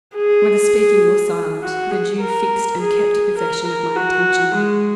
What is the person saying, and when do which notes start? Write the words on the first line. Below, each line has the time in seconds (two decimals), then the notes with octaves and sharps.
Whether speaking or silent, the Jew fixed and kept possession of my attention.
0.16 G#4
1.62 F#4
1.91 G#4
2.21 A#4
2.79 G#4
3.38 A#4
3.67 A#4
3.96 F#4
4.54 G#3